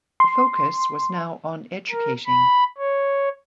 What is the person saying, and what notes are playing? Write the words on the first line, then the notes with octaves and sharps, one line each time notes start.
The focus was now on educating.
C6
A#4
B5
C#5